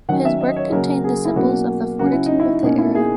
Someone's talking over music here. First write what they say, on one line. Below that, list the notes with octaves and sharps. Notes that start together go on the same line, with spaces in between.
His work contained the symbols of the fortitude of the era.
D#3 F#3 C#4 F#5
E5
D#5
C#5
G#4
C#3 F#3 A#3 C#4 A#4
G#4
E4
B2 F#3 A#3 C#4 F#4
C#3 F#3 C#4 F#4
E4
D#4
E4
B2 A#3 C#4 D#4
E4
G#4